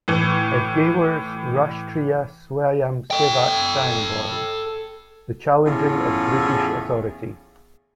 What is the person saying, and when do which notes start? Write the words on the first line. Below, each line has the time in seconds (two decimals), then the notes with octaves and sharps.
Hedgewar's Rashtriya Swayamsevak Sangh boys; the challenging of British authority.
0.08 A2 E3
3.11 A4 G5
5.66 E2 A2 C#4 F4 G#4